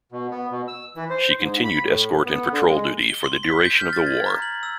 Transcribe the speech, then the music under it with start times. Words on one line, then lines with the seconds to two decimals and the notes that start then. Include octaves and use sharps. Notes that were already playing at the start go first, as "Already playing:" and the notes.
She continued escort and patrol duty for the duration of the war.
0.12 B2
0.31 B3
0.51 B2
0.68 E6
0.96 E3
1.10 C5
1.39 G#2
1.64 B5
1.83 A2
2.25 B3
2.52 D3
2.69 G#3
3.09 G7
3.24 C6
3.43 B6
3.65 G6
3.80 F6
3.93 A6
4.07 G#6
4.26 A#5
4.42 F#7
4.63 E6